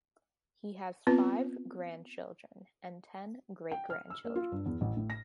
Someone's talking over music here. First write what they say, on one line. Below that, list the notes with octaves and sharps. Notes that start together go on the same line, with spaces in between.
He has five grandchildren and ten great-grandchildren.
B3 C4 F4 B4
G5
F6
E6
A#3
F4
G2
E2
A1
A2
A#6